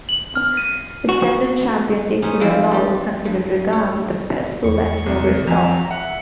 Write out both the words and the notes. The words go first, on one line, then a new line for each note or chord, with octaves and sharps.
Essendon champion Dick Reynolds considered Regan the best full-back he ever saw.
F#7
F6
D#7
F#4
B3 C#4 D#4 G#4 C5
E3 F3 G3 C4 B4 C5
G3 G4
G2
C#5
E2 C#6
C2
F2 G#5 A#5
E5 F#5